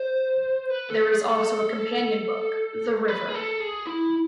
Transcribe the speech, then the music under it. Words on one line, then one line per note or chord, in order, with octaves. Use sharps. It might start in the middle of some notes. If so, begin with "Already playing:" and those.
There is also a companion book, "The River".
Already playing: C5
B4
A4
G#4
A4
B4
G#4
A4
G#4
E4